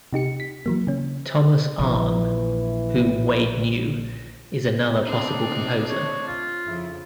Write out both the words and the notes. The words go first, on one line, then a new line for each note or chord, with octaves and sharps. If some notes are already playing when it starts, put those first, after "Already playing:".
Thomas Arne, whom Wade knew, is another possible composer.
C3 D#4 G4 C#7
B6
E3 F#3 A#3
C#3 C#4
A#1 E3
A3 C4 D4 D#4
C#5
F4
F2 C#3 E4